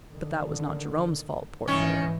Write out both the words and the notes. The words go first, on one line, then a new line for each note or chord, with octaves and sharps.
But that was not Jerome's fault, poor fellow!
D3 D#3
G#2 D#3 E3 C#4 C#5